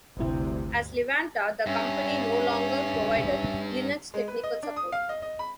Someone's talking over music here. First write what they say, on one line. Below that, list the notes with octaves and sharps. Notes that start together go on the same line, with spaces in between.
As Levanta, the company no longer provided Linux technical support.
G1 D2 G2 C3 E4
G2 C#4 E5
G#3
B4
D#5
D4
D#6
F5
D#5
D#5
B5